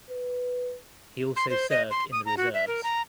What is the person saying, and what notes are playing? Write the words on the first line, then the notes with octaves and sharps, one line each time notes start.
He also served in the reserves.
B4
C6
C5
D#5
C6
D#6
A#5
F#4
E5
A#4
A#5